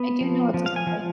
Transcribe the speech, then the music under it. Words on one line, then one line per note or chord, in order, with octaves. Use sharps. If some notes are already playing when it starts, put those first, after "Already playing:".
I do know what those look like.
Already playing: B3
F3
F3
F5
G#5
F3